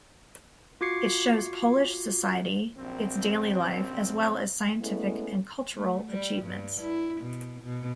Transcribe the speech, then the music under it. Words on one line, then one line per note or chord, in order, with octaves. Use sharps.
It shows Polish society, its daily life as well as scientific and cultural achievements.
F4 F#4 D6 G#6 C7 C#7
A#1 F#2 C4
G#3 A3 B3 C#4 E4
A3
G3
G2
E4
B2
B2